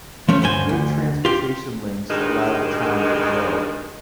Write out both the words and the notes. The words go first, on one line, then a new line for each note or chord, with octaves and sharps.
The good transportation links allowed the town to grow.
F3 A3 C#4
D2 G2 C5 G#5
D2
F4 G4
D2 G2 D#3 G#3